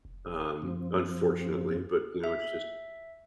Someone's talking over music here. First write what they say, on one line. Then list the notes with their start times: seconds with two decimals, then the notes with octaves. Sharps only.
um, unfortunately, but, you know, it's just
0.05 F1
0.62 F#2 F3 C4
2.24 E5